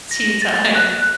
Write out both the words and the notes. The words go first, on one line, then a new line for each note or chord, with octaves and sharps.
tea time.
A#6
A6
F#6
F#6